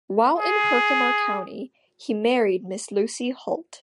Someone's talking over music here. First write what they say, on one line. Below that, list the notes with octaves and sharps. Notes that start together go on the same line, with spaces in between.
While in Herkimer County, he married Miss Lucy Hult.
G#4